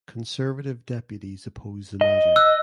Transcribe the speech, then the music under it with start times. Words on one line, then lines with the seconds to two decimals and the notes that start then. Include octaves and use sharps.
Conservative deputies oppose the measure.
2.01 D#5
2.36 E6 F#6